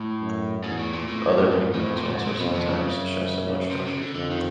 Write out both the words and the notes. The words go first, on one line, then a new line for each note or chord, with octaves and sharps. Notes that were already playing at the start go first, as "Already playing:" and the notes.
Other wing bones also sometimes show similar structures.
Already playing: A2
F#2
E2 G#2
A2
A#2
F2 A2
G#2
A2
A#2
G#2
A#2
F2 B2
C3
C#3
F#2
C3
C#3
D3
F2 D3
D#3